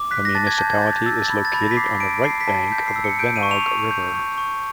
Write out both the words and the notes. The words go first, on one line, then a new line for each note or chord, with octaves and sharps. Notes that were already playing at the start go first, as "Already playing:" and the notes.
The municipality is located on the right bank of the Venoge river.
Already playing: D6
F#6 B6
A#6
A5 A6
G#6
A5 G6
G#6
G6 A6
E6 A6
A6
B5 G#6
A6
B5
A#6
B6
D6 C7
A5 D7
A5 C7
B6
A5
G6 B6
C7
E6
C#7
G6 D7
D#7
C#6
F7
C#6
G6
C#6
C#6